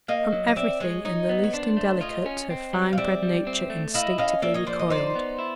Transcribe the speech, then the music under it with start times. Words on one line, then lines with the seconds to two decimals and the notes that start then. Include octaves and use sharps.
From everything in the least indelicate her finebred nature instinctively recoiled.
0.08 A#3 D#5 F5
0.33 F#3
0.48 D#5
0.56 C4 D5 E5
0.80 G#3 C#5 D#5
1.05 D#4 C#5 D#5
1.29 B3
1.44 C#5
1.53 D4 C5 D5
1.77 A3
2.01 F4 C#5 D#5
2.26 C#4
2.50 C4
2.73 G3
2.93 F5
2.98 C4 D5 E5
3.23 G3
3.47 C4
3.70 A3
3.94 E4 D#5 F5
4.18 C#4 D#5 F5
4.42 A#3 D5 E5
4.54 C#5 D#5
4.67 F3 C5 D5
4.79 D#5
4.90 D#4 C5 D5
5.15 B3
5.39 E4